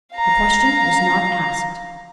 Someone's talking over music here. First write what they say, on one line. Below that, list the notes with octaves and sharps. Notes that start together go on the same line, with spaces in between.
The question was not asked.
F5 A#5